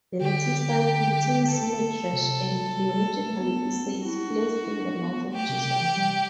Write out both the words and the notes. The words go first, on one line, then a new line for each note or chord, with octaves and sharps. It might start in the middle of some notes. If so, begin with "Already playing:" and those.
The later style contains midrash and theological essays placed in the mouth of Jesus.
D3 G4
A4
C3
G3
G3
G3
A3
B3
B3
C4
E4 F#4
D4
E4
D4
B3
A3 G4
C3
C3
E3
G3